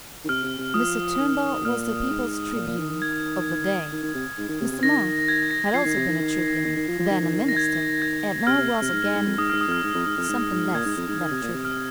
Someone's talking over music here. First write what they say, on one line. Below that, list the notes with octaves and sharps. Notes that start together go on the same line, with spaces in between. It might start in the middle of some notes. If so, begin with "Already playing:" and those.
Mr. Turnbull was the people's tribune, of the day; Mr. Monk had also been a tribune, then a Minister, and now was again--something less than a tribune.
D#3
C3 F6
C3
C3
F3 D#6
D#3
A#2 F6
G#2
A#2
A#2
D#3
D#3
G#6
D#3
D#3
C3
G#2
D#3
C3
C3
D#3 A#6
G#6
A#6
F3 C7
D#3
C3
D#3
D#3
D#3 A#6
D#3
F3
F3
D#3
D#3
D#3
D#3 A#6
G#6
G#6
C3 F6
C3
C3
G#2
G#2
G#2
F2
G#2 D#6
F6
G#2
D#6
F2 F6
G#2
F2
G#2
F2
G#2
G#2
A#2 G#6
G#2
F2
G#2
D#3
C3
A#2
C3
F6